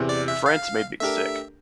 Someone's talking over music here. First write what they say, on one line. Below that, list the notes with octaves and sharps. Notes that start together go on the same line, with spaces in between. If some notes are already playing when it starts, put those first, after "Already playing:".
France made me sick.
Already playing: E2 C3 E3
D5
E5
F5
A3 D4 G4 A#4 E5